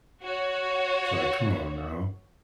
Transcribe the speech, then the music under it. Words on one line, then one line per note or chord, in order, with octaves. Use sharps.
It's like, come on now,
F#4 C#5